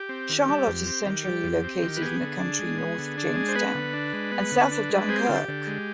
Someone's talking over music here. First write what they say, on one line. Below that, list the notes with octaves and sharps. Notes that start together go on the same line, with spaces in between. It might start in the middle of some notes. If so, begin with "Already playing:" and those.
Charlotte is centrally located in the county, north of Jamestown and south of Dunkirk.
Already playing: G4
C4
D#3
G3
F2
C4
D#3
G3
F2
C4
D#3
B4
B3 G#4
D3
D4
G#3
B3
D3
D4
G#3
C5
B3 B4
D3
D4
G#3
B3
D3
D4
G#3
C4 G#4
G4
D3 F4
G4
D3
G#3